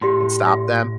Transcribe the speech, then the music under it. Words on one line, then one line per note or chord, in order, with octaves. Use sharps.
and stop them
A2 G4 E5 C6
G4 E5 C6